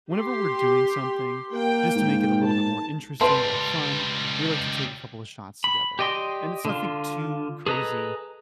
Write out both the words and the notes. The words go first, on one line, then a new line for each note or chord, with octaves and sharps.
whenever we're doing something, just to make it a little bit more interesting or fun, we like to take a couple of shots together. And it's nothing too crazy,
G4 C6
A#3 G5
G#2
A5
C#2 G3 B4 A5 C6
B5
G4 D5 D#5 G5 C6
D3 F4
G#4 A4 B4 D#5 A#5